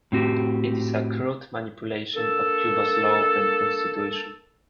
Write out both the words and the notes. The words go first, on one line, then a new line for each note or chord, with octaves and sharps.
It is a crude manipulation of Cuba's laws and Constitution.
A2 C4 F#4 G4
A#3 D4 A4